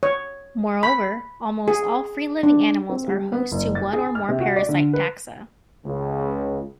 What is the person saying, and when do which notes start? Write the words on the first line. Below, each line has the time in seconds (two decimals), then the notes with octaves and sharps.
Moreover, almost all free-living animals are host to one or more parasite taxa.
0.03 C#5
0.83 B5
1.68 G#4
2.43 D4
2.89 C4
3.08 G3
3.32 B3
3.52 F#1
3.75 A6
3.93 G#4
4.15 F6
4.29 C3
4.40 F#4
4.56 D5
4.69 D3
4.93 B4
5.86 C#2 C#3